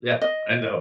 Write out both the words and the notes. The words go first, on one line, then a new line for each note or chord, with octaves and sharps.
Yeah, I know.
D#5